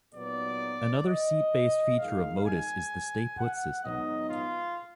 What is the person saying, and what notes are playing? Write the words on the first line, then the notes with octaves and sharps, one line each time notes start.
Another seat-based feature of Modus is the "Stay Put" system.
A#2 F#3 B3 D#4 D5
D#5
F2 D#3 G#3 F5
G#5
F#5
G#2 F#3 B3 D#4 D#5
F4